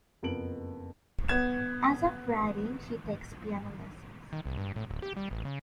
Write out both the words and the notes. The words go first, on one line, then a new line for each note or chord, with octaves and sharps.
As of writing, she takes piano lessons.
F#1 F2 B3 A#4 D7 F#7
B3 G#6 E7
D#3
C2
G2
A2
D1
G4
G3
A1
C#3